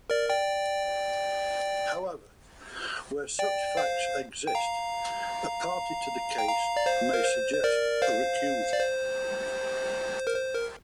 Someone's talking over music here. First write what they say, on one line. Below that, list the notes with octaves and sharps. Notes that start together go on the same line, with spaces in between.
However, where such facts exist, a party to the case may suggest recusal.
A#4 D5
D5 G5
D5 G5
C5 F5
G5
F5 A#5
G5
F5 A#5
D5
C5 F5
A#4
C5
C5
A#4 D5
C5 F5
D5
C5
A#4
C5
A#4